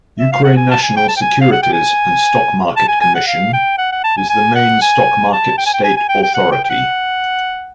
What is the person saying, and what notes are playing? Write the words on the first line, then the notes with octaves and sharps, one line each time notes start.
Ukraine National Securities and Stock Market Commission is the main stock market state authority.
E5
F5
F#5
G#5
A5
G#5
G5
A5
G5
G#5
F5
F#5
G5
G#5
A5
G#5
G#5
F#5
F5
G5
F#5
F#5
A5
G#5
G#5
F#5
G#5
A5
G5
G#5
G5
G#5
G#5
G5
G5
F#5
G5
G5
F#5